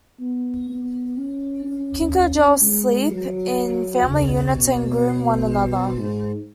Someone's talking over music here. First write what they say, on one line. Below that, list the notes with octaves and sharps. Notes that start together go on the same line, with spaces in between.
Kinkajous sleep in family units and groom one another.
B3
B3
C#4
C#4
G#3
F#3
C#3
B2
G#2